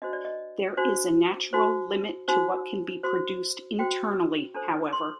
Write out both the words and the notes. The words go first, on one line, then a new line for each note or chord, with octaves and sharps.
There is a natural limit to what can be produced internally, however.
D4 F#4 C5 D#5
D5
D#5
D4 F#4 C5
D#4 F#4 C5
D#4 F#4 C5
F#4 C5
F#4 C5 G5
D4 A4 C5 A#5
C6